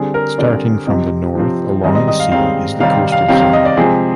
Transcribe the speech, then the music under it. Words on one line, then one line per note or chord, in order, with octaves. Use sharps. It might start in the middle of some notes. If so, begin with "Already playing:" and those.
Starting from the north along the sea is the coastal zone.
Already playing: D3 G3 C4 G#4
A#4
D3 G3 C4 D5
C3 F3 C4 D#5
C3 F3 C4
G#2 D#3 G3 C4 D#5
D#5
D#5
F5
G#2 D#3 G3 C4 F5
C3 D#3 G3 C4 F5
F5
C3 D#3 G3 C4 F5
F5
D#5
D5
C3 F3 G#3 C4 G#4